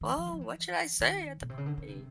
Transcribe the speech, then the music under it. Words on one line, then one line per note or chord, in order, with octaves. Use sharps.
"Woah, what should I say at the party?"
D#3
E3
F3
E3
F3
E3
D#3
B2
C3
C#3
D3
C#3
C3